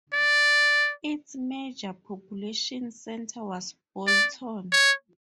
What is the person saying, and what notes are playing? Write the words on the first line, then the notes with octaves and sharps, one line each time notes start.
Its major population centre was Bolton.
D5
D5
C#5